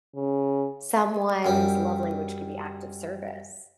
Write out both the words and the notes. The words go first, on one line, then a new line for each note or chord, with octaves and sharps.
someone's love language could be act of service,
C#3
F#2 G3